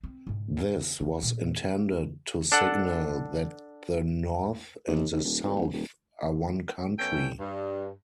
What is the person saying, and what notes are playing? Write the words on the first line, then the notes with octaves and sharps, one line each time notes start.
This was intended to signal that the North and the South are one country.
C4
G#2 C#3
E3
A#2
D4 A4 F#5
D#2
D#2
D#1
G#1
D1
D#1
F#2 B3 C#4 A4 G5
G2